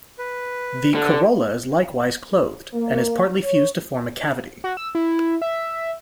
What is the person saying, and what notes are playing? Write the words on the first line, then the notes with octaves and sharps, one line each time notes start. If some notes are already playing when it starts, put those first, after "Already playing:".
The corolla is likewise clothed and is partly fused to form a cavity.
B4
D3
A#3
C#5
F#4
E6
E4
E5